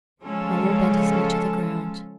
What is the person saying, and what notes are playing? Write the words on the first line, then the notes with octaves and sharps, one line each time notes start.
Raoul bent his knee to the ground.
C#3 F3 G#3 C#4 F4 A4